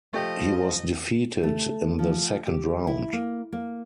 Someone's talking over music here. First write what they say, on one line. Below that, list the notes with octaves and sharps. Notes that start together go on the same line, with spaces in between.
He was defeated in the second round.
F3 A3 G4 D#5
A3
F3
G4
E4
A#3
A#3